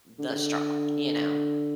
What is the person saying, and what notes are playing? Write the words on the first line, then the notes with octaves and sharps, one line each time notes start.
the straw, you know?
D3
C#3
D3